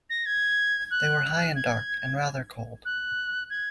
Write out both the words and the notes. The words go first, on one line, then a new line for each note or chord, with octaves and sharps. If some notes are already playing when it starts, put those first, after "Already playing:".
They were high and dark, and rather cold.
A#6
G#6
F#6
G#6
F#6
G#6